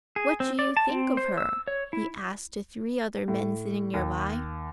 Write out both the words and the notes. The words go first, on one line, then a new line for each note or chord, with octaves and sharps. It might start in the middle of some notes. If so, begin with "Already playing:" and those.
'What do you think of her?' he asked to three other men sitting nearby.
G#4
C4
D5
A5
C4
C5
E6
C#5
E4
A2
D#2